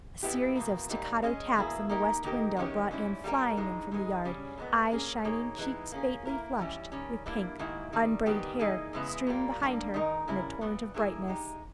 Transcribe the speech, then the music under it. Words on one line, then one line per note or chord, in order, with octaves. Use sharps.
A series of staccato taps on the west window brought Anne flying in from the yard, eyes shining, cheeks faintly flushed with pink, unbraided hair streaming behind her in a torrent of brightness.
A#2 G#3 B3 E4 G4
E2 B2 A#3
G#2 G3 A#3
G#3 C#4 G#4 D#5
E2 B2 A#3 E4 G#4
A#3 D#4 G4 A#4
D#3 A#3 D#4 G4 A#4
E2 D#3 G#3 C#4 G4
G#2 G3 C#4 E4
G3 A#3 C#4 G4 A#4
G2 E3 G#3 D#4
G#2 E3 G#3 D#4 G#4
C#3 G3 C#4 G#4
A#2 G#3 B3
A#3 C#4 G#4
B2 A#3 D#4 G#4 C#5
E3 G#3 B3 D#4
A#3 C#4 G#4
A#3 E4 A#4
G#2 E3 G3 C#4 G4
D#3 G3 C#4
G2 G3 A#3 E4
G#2 D#3 A#3 E4 G4
G2 D#3 G3
G#2 D#3 G3 B3 G4
E3 A#3 D#4 G#4 D#5
E2 C#3 G#3 B3 E4
A#2 G3 A#3
G2 D#3 G3 A#3
D#3 G#3 D#4 A#4
C#3 G3 C#4 E4 A#4
A#2 G3 B3
G2 D#3 A#3 E4 G#4
G#3 D#4 G4